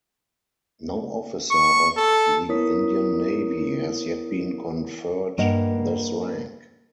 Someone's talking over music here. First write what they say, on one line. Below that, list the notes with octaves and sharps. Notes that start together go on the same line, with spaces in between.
No officer of the Indian Navy has yet been conferred this rank.
C#6
A4
B3 E4 A#4 C#5 D#6 B6
G2 A#3 D#5 F#5